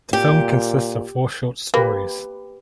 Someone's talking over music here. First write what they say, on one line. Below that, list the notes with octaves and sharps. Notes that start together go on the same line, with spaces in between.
The film consists of four short stories.
A#2 G4
A#3 G4 B4